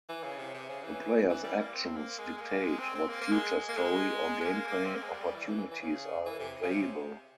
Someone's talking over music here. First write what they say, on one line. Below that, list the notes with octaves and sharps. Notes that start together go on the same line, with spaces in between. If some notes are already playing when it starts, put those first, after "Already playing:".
The player's actions dictate what future story or gameplay opportunities are available.
E3
C#3
C3
C3
C#3
E3
E3
G3
A#3
C4
A#3
G#3
G#3
A#3
G#3
C4
C4
A#3
A#3
G#3
A#3
G#3
G#3
A#3
A#3
C4
A#3
G#3
G3
E3
C#3
E3
E3
C#3
E3
C3
C#3
C3